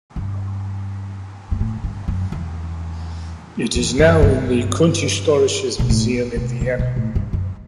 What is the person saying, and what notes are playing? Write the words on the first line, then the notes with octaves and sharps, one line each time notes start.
It is now in the Kunsthistorisches Museum in Vienna.
G2
G2
A2
G2
F#2
E2
E2
F#2
G2
B2
A2
B2
C#3
B2
A2
G2
F#2